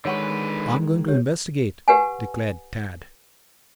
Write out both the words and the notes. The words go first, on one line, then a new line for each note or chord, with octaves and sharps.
"I'm going to investigate," declared Tad.
D3 D#3 G#3 B4 C#5 F#5 C#6
G4 C#5
G4 B4 F#5 G#5